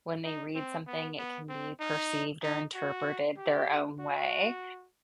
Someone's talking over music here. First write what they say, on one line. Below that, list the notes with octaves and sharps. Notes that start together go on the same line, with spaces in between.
when they read something it can be perceived or interpreted their own way.
D#4
C4
B3
B3
C4
D#4
D#4
F#4
G4
F#4